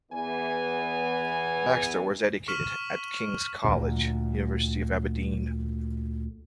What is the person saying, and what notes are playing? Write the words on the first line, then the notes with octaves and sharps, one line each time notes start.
Baxter was educated at King's College, University of Aberdeen.
E2 E3 B3 G#5
C#6 F6 B6 E7 F#7
D2 A#2